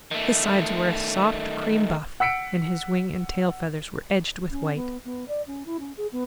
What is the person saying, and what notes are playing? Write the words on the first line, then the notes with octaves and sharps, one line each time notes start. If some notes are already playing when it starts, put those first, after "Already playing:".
His sides were a soft cream-buff, and his wing and tail feathers were edged with white.
D#3 A3
F#5 E6 B6 C#7 D7
C#4
B3
B3
D5
C#4
E4
C#4
G#4
B3